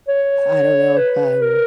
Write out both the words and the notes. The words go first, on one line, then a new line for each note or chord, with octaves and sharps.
I don't know if I'm
C#5
B4
A#4